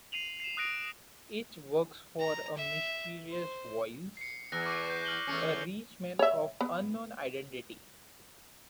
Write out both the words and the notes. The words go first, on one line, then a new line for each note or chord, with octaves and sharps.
Each works for a mysterious "Voice", a rich man of unknown identity.
C7 D#7 F7 F#7
C7 E7
D#6 F#6 A#6 D7
A#5
E5
C5
C7 C#7
E2 F#6 A#6
C#6 D6 C7
G6 C7 E7
F6 F#7 G7
E2 A3 C#4
C#5 E5
B3